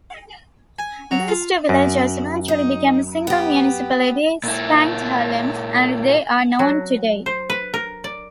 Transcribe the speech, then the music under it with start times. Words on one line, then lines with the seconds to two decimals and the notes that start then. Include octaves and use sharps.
These two villages eventually became a single municipality Spangdahlem as they are known today.
0.79 G#5
1.11 F#3
1.28 F4
1.69 F#2
2.48 D#4
3.27 B3 G4
4.44 A#2 E4
6.59 F#3
7.26 C5
7.50 B4
7.74 A#4
8.04 D5